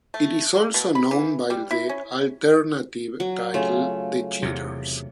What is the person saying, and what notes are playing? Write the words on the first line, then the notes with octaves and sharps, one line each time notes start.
It is also known by the alternative title The Cheaters.
A3
A#3
B2
B5
E3
G3
E4
C#4
F#3
C#3 A3 F4
E2 C3